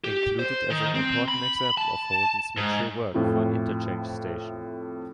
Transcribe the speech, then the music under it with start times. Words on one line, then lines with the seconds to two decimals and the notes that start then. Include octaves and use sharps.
Included as an important example of Holden's mature work for an interchange station.
0.04 G4
0.39 C5
0.70 D#3
0.95 C4
1.28 B5
1.78 A5
2.57 G#2
3.14 F2 A2 C4 E4 F4